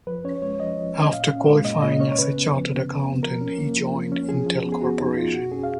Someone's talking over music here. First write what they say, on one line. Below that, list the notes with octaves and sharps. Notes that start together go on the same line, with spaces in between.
After qualifying as a chartered accountant, he joined Intel Corporation.
F3 B4
C#4 C#5
G#3 C#5
F3 D#5
F3
C#4
D#5
A#2 F5
C#4
G#3
A#2 D#5
A#2 D#5
C#4 C#5
C#5
C#3 B4
B3
F3
C#3
C#3
B3
F3 A#4
C#4
A#3
F3
F3
C#4
F3 G#4
F3
B3
G#4
B3 F#4
F3 D#4
F3 F4
B2 F#4
C#4 G#4
F5